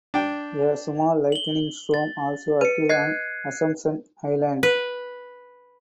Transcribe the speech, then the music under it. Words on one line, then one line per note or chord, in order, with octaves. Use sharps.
A small lightning storm also occurred on Assumption Island.
D4 G5
F#7 G7
A6
B4 C#7 D#7
D#5 F#6 G#6 C7
B4